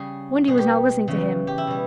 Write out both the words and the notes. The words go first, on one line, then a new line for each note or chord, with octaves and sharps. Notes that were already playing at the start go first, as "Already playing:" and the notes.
Wendy was not listening to him.
Already playing: C#3 G3 G#4
B2 G3 G#4
G4
C#3 E3 G3
G4
E4
B2 G3